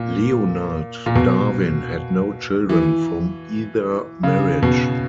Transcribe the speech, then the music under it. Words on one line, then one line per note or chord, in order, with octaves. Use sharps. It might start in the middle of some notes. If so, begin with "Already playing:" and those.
Leonard Darwin had no children from either marriage.
Already playing: A#2
A#2
B2
E3
C#3
B2